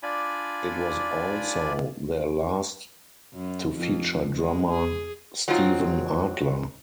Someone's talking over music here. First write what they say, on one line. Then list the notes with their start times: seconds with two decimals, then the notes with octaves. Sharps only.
It was also their last to feature drummer Steven Adler.
0.03 D4 F4 D5 G#5 B5
3.34 F#2
3.76 F2
4.37 G#3
4.72 G#4
5.48 F#3 G#3 C4 D#4 F4